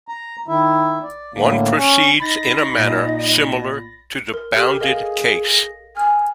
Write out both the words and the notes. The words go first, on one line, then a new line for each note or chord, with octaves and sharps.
One proceeds in a manner similar to the bounded case.
A#5
D#3 E4 E5
D5
A2 D3 A#3
C#4
D#4 D#5 B5 A6 A#6
A#2
A#4
G4 A4 F6 F#7
G#4 A#4 D#5 F5
A#6
G#5 F6